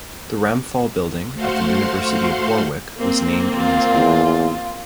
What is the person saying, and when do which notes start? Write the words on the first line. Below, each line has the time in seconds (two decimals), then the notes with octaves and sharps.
The Ramphal Building at the University of Warwick was named in his honour.
1.34 A3 F#4 C5 F5 F#5 C6
2.97 A#3 C4
3.57 F4
3.95 E2